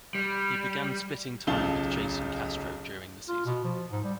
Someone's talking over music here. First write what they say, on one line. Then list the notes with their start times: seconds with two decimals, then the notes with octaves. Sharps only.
He began splitting time with Jason Castro during the season.
0.15 G3
1.47 D1 B1 C#3 F4 A5 G7
3.29 F4
3.46 B2
3.64 F3
3.91 G#2
4.04 G3